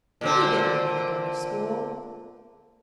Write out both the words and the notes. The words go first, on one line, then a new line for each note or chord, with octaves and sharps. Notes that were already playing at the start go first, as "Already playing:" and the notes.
He didn't want to go to school.
A#2 D3 C4